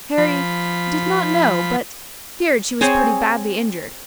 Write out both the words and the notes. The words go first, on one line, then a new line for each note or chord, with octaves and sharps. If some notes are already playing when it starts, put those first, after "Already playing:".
Harry "did not know, but feared she was pretty badly injured."
F3 B5
C4 G#4 C5 C#5